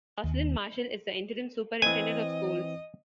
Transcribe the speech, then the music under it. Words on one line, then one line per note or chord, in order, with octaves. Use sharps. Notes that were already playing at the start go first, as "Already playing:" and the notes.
Roslin Marshall is the Interim Superintendent of Schools.
D#2
E3 C4 D#5 G#5